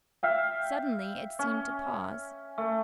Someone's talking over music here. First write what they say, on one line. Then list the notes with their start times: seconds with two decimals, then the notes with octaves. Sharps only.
Suddenly it seemed to pause.
0.23 E5 F5 G5
1.39 C#4
2.58 A3